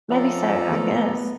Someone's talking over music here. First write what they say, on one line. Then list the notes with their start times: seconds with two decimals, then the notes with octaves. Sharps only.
Maybe so, I guess.
0.10 F3 C#4 A4 D5 E5 A#5
0.72 G#3 A3 B3